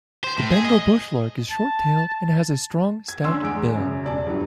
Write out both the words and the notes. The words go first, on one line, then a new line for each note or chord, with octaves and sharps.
The Bengal bush lark is short-tailed and has a strong stout bill.
C5
A2
G#4
D#5
A5
G#6
D3 C#4 D4 C6 E6
E2 G#3 D7
F#2 C#3
E1 D5 A5
G2 F#3